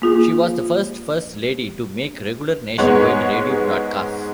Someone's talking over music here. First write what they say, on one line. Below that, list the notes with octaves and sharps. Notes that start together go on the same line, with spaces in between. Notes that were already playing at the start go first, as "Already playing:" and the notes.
She was the first First Lady to make regular nationwide radio broadcasts.
A#3 F4 G#4
G#2 G#3 B3 C#5